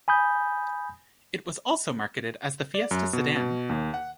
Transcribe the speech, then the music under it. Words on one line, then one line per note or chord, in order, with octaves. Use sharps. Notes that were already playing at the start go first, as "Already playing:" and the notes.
It was also marketed as the Fiesta Sedan.
G#5 B5 D#6 G6
D5
F#2
B2
B2
D#2
F#5